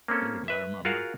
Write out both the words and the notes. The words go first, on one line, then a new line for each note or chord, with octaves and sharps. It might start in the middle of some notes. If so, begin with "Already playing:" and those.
there you go. I remember.
A#3 C4 C#4 A4
B4 E5
F4 F#4 G#4 A#4 F5 F#5